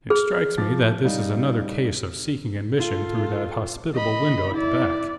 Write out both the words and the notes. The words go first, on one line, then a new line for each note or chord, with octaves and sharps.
'It strikes me that this is another case of seeking admission through that hospitable window at the back.'
G#4 F6
F3 D6 A6
G3 D#4 F5
F4 A4
D#5 B5
E4 D5